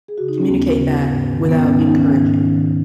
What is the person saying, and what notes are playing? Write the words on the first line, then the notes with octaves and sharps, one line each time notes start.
communicate that without encouraging.
G#4
C#3 F#4
D#4
C#4
D#2 B3
C#3
G#2
D#3
B3
G#2 C#4
D#4
D#3
C#4
G#2
D#3